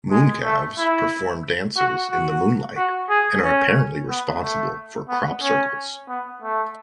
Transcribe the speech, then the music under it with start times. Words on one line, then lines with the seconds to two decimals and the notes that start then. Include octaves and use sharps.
Mooncalves perform dances in the moonlight, and are apparently responsible for crop circles.
0.11 G#3
0.44 A3
0.78 E4
1.77 F#4
2.10 F#4
2.76 F#4
3.09 G#4
3.43 C#4
4.09 B3
4.42 A3
5.09 B3
5.42 C#4
6.09 B3
6.42 A3